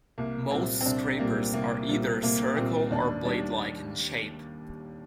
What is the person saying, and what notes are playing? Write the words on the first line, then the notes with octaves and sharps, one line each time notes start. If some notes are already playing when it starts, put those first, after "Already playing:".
Most scrapers are either circle or blade-like in shape.
C2 A#3
A#2 G3 C4
C4
C2 D4
A#2 G3 A#3
C2 A#3
A#2 G3
C2 A#3
A#2 G3 C4
D#2 D4
D#3 G3 D4